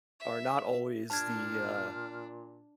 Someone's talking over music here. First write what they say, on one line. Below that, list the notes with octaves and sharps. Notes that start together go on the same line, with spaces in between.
are not always the uh
E5
A#2 D4 A5 F6 G#6